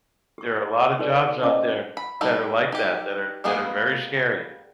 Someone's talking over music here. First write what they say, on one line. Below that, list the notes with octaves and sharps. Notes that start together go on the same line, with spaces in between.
There are a lotta jobs out there that are like that, that are that are very scary,
G4 C#6
D#4 F#4 A4 B4 D5
C#4 C5 D#5 E5 A5 D6
B5
G3 D#4 A4 A#4
D#4 G4
G3 G#3 A#3 B3 G#4